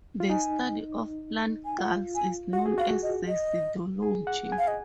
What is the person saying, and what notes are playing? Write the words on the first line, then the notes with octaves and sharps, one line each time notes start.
The study of plant galls is known as cecidology.
F4
D#4 G#5
G#5
F4 F#5
G#5
F#4 F#5
G#4
F#4 F5
D#5
D#5
G#4
F#5
G#5
F5
D#5